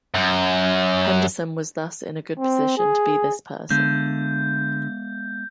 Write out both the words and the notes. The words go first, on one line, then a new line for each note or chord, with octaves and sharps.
Henderson was thus in a good position to be this person.
F#2
C4
G#4
D3 G#3 B3 G6